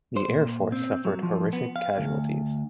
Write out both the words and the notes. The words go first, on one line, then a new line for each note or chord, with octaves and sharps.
The air force suffered horrific casualties.
C5
A#2
C4
F#3
F3
B3
F5
D2